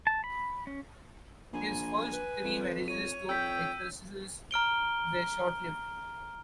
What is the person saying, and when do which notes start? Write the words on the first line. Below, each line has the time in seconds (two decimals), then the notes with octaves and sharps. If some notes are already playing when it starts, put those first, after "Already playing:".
His first three marriages to actresses were short-lived.
0.07 A5
0.24 B5
0.67 C#4
1.53 A#1 G#5
2.13 B4
2.44 F2
2.88 C#5 D#7
3.29 F2 G5 E6 G6 B6
4.51 A#5 F6 D7 G7